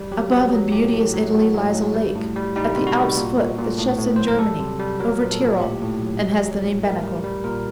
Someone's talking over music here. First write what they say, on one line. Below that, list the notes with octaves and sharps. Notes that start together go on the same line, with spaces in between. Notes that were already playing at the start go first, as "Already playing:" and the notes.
Above in beauteous Italy lies a lake At the Alp's foot that shuts in Germany Over Tyrol, and has the name Benaco.
Already playing: G3
F#3 G4
F#3
F#3
A2 G4
A2
F#3
A2 F#4
F#3
A2
G3
A2
G3
G3 D#4
C3
F#4
G3
A#2
A#2
A#2
A2
A2
F#3 C5
A#4
G3 A4
C3
G3
F#3 A#4
A#2
A4
A#2
A2 G4
A2
F#3
F#3
F#3
A2
G3 A#4
G3
G3
A#2 A#4